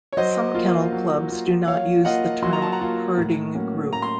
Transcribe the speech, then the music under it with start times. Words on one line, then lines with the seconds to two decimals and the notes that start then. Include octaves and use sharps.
Some kennel clubs do not use the term "Herding Group".
0.13 C#5
0.17 F#3 C5 D#5
0.55 A#3 F4
0.92 F#3
1.30 A#3 F4
1.67 F#3 C#5 F5
2.05 A#3 F4 D#5 F#5
2.42 F#3 C6
2.53 A#5
2.62 A5
2.72 F#5 A#5
2.80 A#3 F4
3.18 A2
3.55 F#3 A#3 C#4
3.92 A2 A#5
4.02 C6